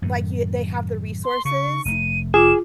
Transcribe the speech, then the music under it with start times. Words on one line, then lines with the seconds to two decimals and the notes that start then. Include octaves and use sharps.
like you they have the resources
0.02 F#2 A2 D#3
1.24 C6
1.45 C#3 C#6
1.85 F1 A3 D#7
2.34 F4 G#4 D6 E7